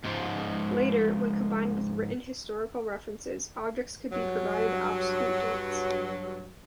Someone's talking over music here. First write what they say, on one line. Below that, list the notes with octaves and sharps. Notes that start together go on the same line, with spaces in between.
Later, when combined with written historical references, objects could be provided absolute dates.
G#2 F3
G2 F#3